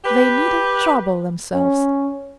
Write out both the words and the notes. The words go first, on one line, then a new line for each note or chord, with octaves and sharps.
They needn't trouble themselves!
G4 B4
C#4